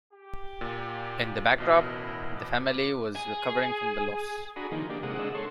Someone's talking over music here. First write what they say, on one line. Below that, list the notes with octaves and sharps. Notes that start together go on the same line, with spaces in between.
In the backdrop, the family was recovering from the loss.
G4
A#2
A1 B2 C#4 E4 A#4 D#5
B4 D6
G#4
D4 F#4 G#4 A#5 B5 D#6
D#3 F3 A#3 D#4
A#3 D4 G4
C3 G#3 A#3 F#5 D#6
G#3 D4 D#5 F#5 E6
A4 C#5 C6